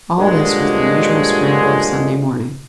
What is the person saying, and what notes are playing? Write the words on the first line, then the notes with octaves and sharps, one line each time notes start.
All this was the usual scramble of Sunday morning.
G2 A#2 D3 F3 F#3 G#3